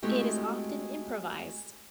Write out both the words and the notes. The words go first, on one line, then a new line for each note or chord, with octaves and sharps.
It is often improvised.
G#3 A3 C4 E4 F#4 G4